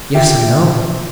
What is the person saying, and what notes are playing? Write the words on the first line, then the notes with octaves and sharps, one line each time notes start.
"Yes, I know."
F4 G4 A#4 E5